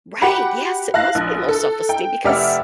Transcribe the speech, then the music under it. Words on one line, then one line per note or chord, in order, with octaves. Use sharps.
Right, yes, it must be low self-esteem, because
F#4 G4 F#5 B5
F5 A5 F#6 A#6
A#1
A4
G5
F1 G4 D5 E5 F#5 F6